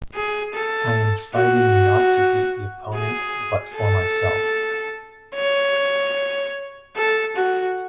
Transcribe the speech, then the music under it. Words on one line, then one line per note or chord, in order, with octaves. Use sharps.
I am fighting not to beat the opponent, but for myself.
G#4
A4
F#4
G#4
A4
C#5
A4
F#4